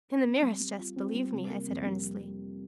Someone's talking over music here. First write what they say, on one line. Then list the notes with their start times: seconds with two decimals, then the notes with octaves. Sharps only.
"In the merest jest, believe me!" I said earnestly.
0.24 C4
0.42 G3
0.60 G3
0.78 F4
0.96 C4
1.14 G3
1.33 C3
1.50 A#3
1.68 F2
1.86 G3